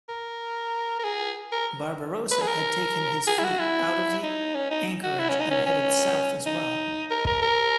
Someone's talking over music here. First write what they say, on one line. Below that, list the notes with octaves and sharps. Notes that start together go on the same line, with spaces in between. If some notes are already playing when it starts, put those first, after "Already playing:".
Barbarossa had taken his fleet out of the anchorage and headed south as well.
A#4
A#4
G#4
A#4
B4
G#4
A#4
G#4
E4
F#4
E4
D#4
C#4
D#4
F#4
E4
C#4
D#4
C#4
C#4
D#4
A#4
A#4
A#4